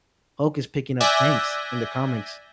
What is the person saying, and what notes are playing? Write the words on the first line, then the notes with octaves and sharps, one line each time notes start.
Hulk is picking up tanks in the comics,
D5 E5 G#5 F#6 G6 A#6